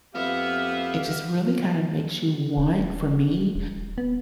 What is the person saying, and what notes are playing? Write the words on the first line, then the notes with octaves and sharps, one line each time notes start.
it just really kinda makes you want, for me,
F2 B3 G4 E5 F5
D#1
D#1
B3